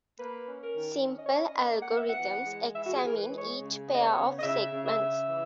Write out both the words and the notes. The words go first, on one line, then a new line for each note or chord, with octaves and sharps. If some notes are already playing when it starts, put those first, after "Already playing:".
Simple algorithms examine each pair of segments.
A#3 B4
C#4
A#4
D#3
C#4
D#5
C#5
C#4
D#5
A#3
F#5
B3
E5
F#5
E3
G#3
E3 E5
F#4
G#4
E3 A#4
B4
G#3
C#5
C#3
B3
D#5
C#5
C#3
D#5
C#3 E5
C#3
E5
C#3
E3